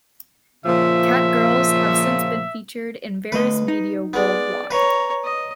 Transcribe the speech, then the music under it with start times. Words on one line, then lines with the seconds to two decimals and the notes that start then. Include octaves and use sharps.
Cat-girls have since been featured in various media worldwide.
0.65 A#2 C#3 F3 E5
3.32 D2 A3 B4 D#5
3.68 D#4
4.13 G#3 B3 D5
4.71 B4 C#5 A#5
5.24 D#5